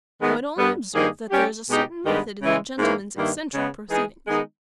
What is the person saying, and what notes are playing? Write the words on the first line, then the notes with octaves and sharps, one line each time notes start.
I would only observe that there is a certain method in the gentleman's eccentric proceedings.
D#3 G#3 B3
G2 G3 B3
G2 D#3 A#3 D#4 G#4
G3 C#4 G4
B2 G#3 D#4 G4
G2 D#3 G#3 B3 G4
C#3 E3 G#3
G#2 E3 A#3 C#4 E4
G2 D#3 A#3 E4
C#3 G#3 B3
E3 G#3 D#4 G#4
D#3 G#3 B3 D#4 G#4